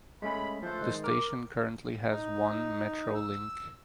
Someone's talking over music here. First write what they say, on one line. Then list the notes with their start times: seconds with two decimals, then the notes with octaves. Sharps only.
The station currently has one metrolink.
0.22 G#3 A3 C#4 B5
0.62 F3 A3 A4 B4 C5
0.81 D#3 G#3
1.04 A#4 D6 F6
2.11 D#4
3.15 E6